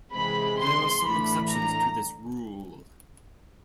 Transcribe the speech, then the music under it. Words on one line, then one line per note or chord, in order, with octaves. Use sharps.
There are some exceptions to this rule.
C3 E3 G#3 C4 B5
C6
A2 E3 A3 D4 B5
A#5